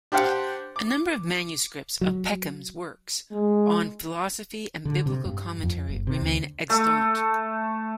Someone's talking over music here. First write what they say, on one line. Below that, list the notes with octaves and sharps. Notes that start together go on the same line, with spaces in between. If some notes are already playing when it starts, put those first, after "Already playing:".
A number of manuscripts of Peckham's works on philosophy and biblical commentary remain extant.
D4 G4 C5 F5 F#5
D6
F#3
G#3
D3
C3
G2
F2
F#1
C3
D2
A3